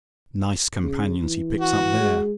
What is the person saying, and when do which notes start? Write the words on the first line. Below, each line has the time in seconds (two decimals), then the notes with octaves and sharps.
Nice companions he picks up there!
0.83 C#3
1.24 E3
1.60 F#4
2.00 G#3